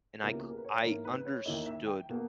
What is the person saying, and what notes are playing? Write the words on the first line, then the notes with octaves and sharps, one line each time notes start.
and I c I understood
C#2 B2 A#3 C#4 E4 A#4
G4
G#4
A#4
B4
C#5
G#2 D#3 A#3 E4 A#4
B4
C#5
D#2 D#3 A#3 E4 D#5
E5
G5
B2 A#3